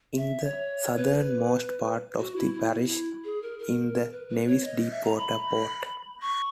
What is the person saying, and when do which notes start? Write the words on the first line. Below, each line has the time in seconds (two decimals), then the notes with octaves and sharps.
In the southernmost part of the parish is the Nevis deep-water port.
0.17 E5
0.44 C#5
0.97 B4
2.19 F#4
2.36 E4
2.54 E4
2.81 E4
3.24 G#4
3.42 A#4
3.59 A#4
4.11 B4
4.29 B4
4.47 C#5
4.65 D#5
4.91 E5
5.05 A#5
5.17 B5
6.22 C#6